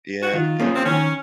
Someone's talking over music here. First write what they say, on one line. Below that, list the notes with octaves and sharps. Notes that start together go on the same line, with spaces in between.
Yeah, yeah.
F#4
D#3 F4
A#3 C#4 G#4 C5
C4
D#3 C#4